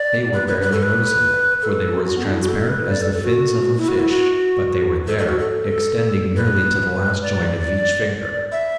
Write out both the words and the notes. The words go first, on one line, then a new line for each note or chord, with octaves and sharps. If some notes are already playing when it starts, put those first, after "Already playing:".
They were barely noticeable, for they were as transparent as the fins of a fish, but they were there, extending nearly to the last joint of each finger.
Already playing: D5
B4
B4
B4
A4
B4
A4
F#4
B3
D4
E4
F#4
A4
B4
D5
A4
A4
F#4
E4
F#4
E4
F#4
A4
A4
F#4
A4
B4
D5
E5